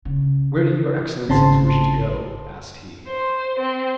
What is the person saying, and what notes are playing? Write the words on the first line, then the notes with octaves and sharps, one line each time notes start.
"Where do your excellencies wish to go?" asked he.
C#3
G#1 C#3 C4 A5 C6
C5
C4